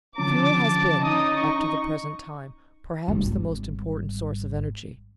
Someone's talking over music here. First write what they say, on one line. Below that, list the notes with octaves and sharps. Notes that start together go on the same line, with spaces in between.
Fuel has been, up to the present time, perhaps the most important source of energy.
D3 F3 C#4 A5 D6
C#4 D#4 D#5 D#6
C#6
G#1 G3